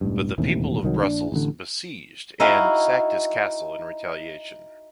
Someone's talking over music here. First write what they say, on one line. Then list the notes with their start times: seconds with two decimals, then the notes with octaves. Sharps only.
But the people of Brussels besieged and sacked his castle in retaliation.
0.01 E1 A1 G2
0.38 E1 A1 D#2 C3
0.83 C2 D#3 F#3
1.03 A#1 D4
1.32 A1 D3
2.40 D#4 E4 F#4 F5 G#5